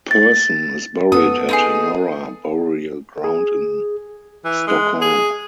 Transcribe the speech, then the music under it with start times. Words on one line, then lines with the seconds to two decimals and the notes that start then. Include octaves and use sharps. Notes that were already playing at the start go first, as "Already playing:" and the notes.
Persson is buried at Norra burial ground in Stockholm.
0.11 A6
1.12 B3 A4 D#6
1.49 D#4 E4 G#4
3.24 G#4
4.45 E3
4.67 G#3
5.01 G#4